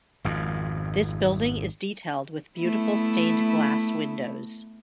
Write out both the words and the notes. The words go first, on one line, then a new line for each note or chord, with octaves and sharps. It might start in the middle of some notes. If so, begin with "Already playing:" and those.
This building is detailed with beautiful stained glass windows.
G#1 F2
A3 B3 E4